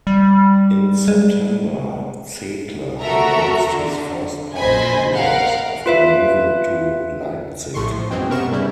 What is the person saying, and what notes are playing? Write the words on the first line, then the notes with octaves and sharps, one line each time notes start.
In September, Zedler announced his first published works after moving to Leipzig.
G3
G#3
F#4 A4 A#4 E5 A#5
D3
A#1 C5 D#5 G#5 B5
A#4 F5 F#5
F4 B4 E5
A#1 A2 C6 C#6
F3
F#2 B2 E3 G#3 C4
F#2 C3 B3 A#4 C#6 E7
G#2 C#3 G3 E4